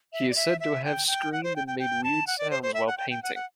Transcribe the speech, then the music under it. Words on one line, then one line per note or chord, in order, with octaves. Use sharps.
He is said to have screamed and made weird sounds while painting.
E5
D5
E5
E5
G5
G5
F#5
C5
G5
G5
G5
A5
F#5
D5
C5
C5
E5
F#5
G5
G5
F#5
F#5